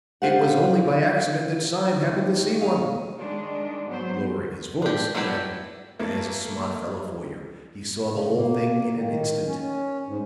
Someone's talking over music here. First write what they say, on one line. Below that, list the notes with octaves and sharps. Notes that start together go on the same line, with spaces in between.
It was only by accident that Sime happened to see one." Lowering his voice, he added: "There's a smart fellow for you; he saw the whole thing in an instant.
F4 G4 C5 F5 F#5
D#2
D#5 F5
D#3 G#3 D4
G#2 F#3 B3 C5
D4 G4
F#3 A3 E4 G4 B4
A3 A#3
C#3
A#3
D#3
C#4
C#4
G#2